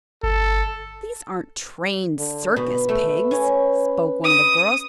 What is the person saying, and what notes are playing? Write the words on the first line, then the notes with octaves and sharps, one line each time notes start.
"These aren't trained circus pigs," spoke one of the girls.
G1 A4
D3
B2 B4
A3
C#4
D#6